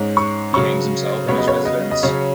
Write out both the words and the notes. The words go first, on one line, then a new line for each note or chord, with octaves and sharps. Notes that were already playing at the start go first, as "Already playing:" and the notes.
He hangs himself in his residence.
Already playing: G#2 G#3 C#4
C#6
C#3 F#3 C#4 C#6
C#3 F#3 B3 C#5
D#5
C#5
D#5
D#5
C#3 F#3 C#4 C#5